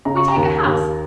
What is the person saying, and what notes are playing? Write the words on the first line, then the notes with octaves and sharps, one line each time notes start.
We take a house.
C#3 A#5
C#6
A#5
D#2
D#2